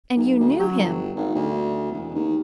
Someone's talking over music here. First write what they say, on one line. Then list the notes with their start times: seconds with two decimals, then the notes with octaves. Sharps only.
And YOU KNEW HIM.
0.16 B1
0.40 D2
0.59 F#3
0.79 G1
1.16 G#1
1.35 D2
1.92 E1
2.15 D#2